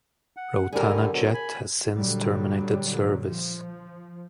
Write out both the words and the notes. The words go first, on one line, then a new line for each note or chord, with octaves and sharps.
Rotana Jet has since Terminated service.
F#5
D3 G3 G#4 A#4
B2 D3 F#3
G#5 B5
A#2 D3 F#3 G3
F3